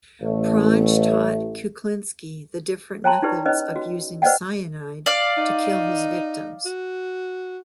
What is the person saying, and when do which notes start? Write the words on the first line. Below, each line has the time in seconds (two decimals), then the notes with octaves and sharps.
Pronge taught Kuklinski the different methods of using cyanide to kill his victims.
0.21 A1 A3
3.04 C#5 G5 A5 A#5 C6
3.22 D#4 E4 G4 B4 D5
3.45 C#4 B4 C#5 D#5
3.76 F#4
4.22 B4 C5 D5 D#5 F#5 G5
5.06 D5 F5
5.37 D#4
6.66 F#4